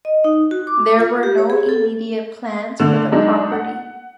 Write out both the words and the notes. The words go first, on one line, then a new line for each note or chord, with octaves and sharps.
There were no immediate plans for the property.
D#5
D#4
F#4
D6
F4
G4
C#5
G#4
A4
D3 A3 D4
F#3 G#3 D4 D#4
F#5